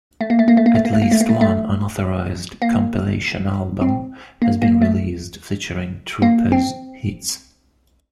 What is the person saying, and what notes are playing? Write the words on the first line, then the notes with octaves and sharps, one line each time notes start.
At least one unauthorised compilation album has been released featuring Trooper's hits.
A3
A#3
A3
A#3
A3
A#3
A3
A#3
A3
A#3
A3
A#3
A3
A3
A#3
C4
A#3
A#3
A3
A#3
C4